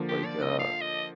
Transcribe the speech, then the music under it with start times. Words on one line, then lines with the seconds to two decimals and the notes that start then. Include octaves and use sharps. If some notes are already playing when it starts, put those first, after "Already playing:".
Like, uh,
Already playing: D3 F3 A#3
0.09 G4
0.25 D5
0.42 D#5
0.59 F5
0.81 D#5